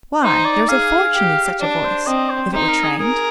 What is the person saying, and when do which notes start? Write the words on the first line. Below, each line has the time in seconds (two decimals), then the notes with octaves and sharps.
Why, there is a fortune in such a voice if it were, trained!
0.22 D#4 C5
0.45 D5
0.68 G#4 F5
1.15 G4
1.61 D4
1.84 C5
2.06 C4 D#5
2.30 C5
2.53 D#4 C5
2.69 A#4
2.84 G#4
2.99 G#4 A#4